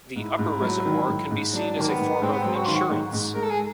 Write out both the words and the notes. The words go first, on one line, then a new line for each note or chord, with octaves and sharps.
The "Upper" reservoir can be seen as a form of insurance.
G#2 E4
G#2
F#3
D#3
G#2
G#2
F#3 D4
D#3 A#3
B3
G#2
G#2 C4
B3
F#3 C4
F#4
D#3 F4
F#4
G#2
G#2
G#3 A#4
A4
G#4